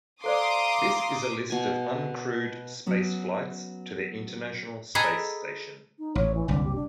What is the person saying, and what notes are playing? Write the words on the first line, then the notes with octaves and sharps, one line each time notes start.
This is a list of uncrewed spaceflights to the International Space Station.
A4 C5 D5 F5 A#5 C6 D6 D#6
B2 G#5
F#3 B3 C#4
G#4 A4 B4 D#5 G#5 A#5
D#4
A1 C#5
E3
F#1 C2 D3
G4
D4